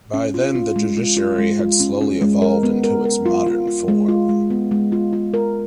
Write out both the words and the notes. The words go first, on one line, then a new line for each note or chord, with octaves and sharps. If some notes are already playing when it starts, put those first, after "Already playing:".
By then, the judiciary had slowly evolved into its modern form.
C#4
F4
F4
G#3
F4
F4
G#3
F4
C#4
C#4
G#3
A#4
B3
A#4
A#4
F4
F4
F4
G#3
F4
G#3
B3
G#3
F4
F4
A#4